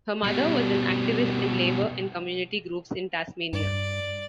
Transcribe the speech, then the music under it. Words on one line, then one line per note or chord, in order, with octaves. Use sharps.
Her mother was an activist in Labor and community groups in Tasmania.
B2 G3
G2 D5